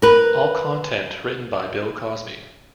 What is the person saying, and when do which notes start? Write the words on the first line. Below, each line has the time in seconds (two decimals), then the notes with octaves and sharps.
All content written by Bill Cosby.
0.02 A#4 B4